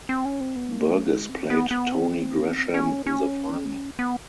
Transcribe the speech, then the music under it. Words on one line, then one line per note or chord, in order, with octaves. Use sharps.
Burgess played Tony Gresham in the final.
C4
C#4
C4
B3
A#3
A3
G#3
C4
B3
B3
C4
C#4
C#4
B3